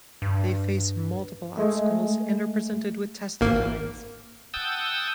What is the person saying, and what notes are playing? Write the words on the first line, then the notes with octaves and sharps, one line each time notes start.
They face multiple obstacles and are presented with testing times.
G2
G#3 A3
G#1 A#3
F#5 G5 A5 D#6 E6 G6